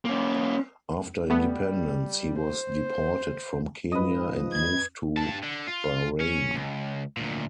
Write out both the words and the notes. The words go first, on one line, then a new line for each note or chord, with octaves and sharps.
After independence, he was deported from Kenya and moved to Bahrain.
A#3 C#4
G3 A3 B3
C5
G#2 F3 B4 D#5
G#6
G2 A5
D3
F4
C#4
C#2
D2 A#2